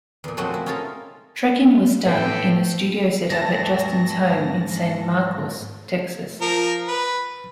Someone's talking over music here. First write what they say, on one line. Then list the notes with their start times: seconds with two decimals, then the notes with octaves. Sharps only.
Tracking was done in a studio setup at Justin's home in San Marcos, Texas.
0.24 E2 A#2
0.37 F3 F#3 G#3 A3 C4 F#4
0.54 E4
0.66 C#4 D#4 F4 A4 A#4
2.06 A2 A4 B4 G5
3.30 G#2 G#3 B4 A5 A#6
6.41 F3 A#4
6.88 B4